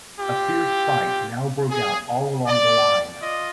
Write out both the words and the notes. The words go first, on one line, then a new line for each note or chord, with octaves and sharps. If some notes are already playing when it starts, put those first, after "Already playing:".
A fierce fight now broke out all along the line.
C4 F4 G4
G#4
D5
F4 D#5